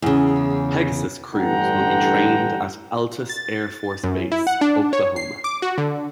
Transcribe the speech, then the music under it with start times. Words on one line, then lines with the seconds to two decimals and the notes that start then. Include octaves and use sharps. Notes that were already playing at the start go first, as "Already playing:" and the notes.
Pegasus crews will be trained at Altus Air Force Base, Oklahoma.
0.02 E2 C#3
1.34 A1 G2 D3 F#5 G5 A#5
3.29 A6
4.03 F#2
4.32 E4
4.47 F#5
4.61 D4
4.93 C#5
5.16 C7
5.44 D6
5.62 F#4
5.78 D3